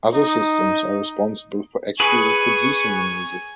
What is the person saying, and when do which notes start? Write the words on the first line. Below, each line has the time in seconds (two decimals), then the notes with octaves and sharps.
Other systems are responsible for actually reproducing the music.
0.14 D#4
2.00 G#4 B4 G#5 C#6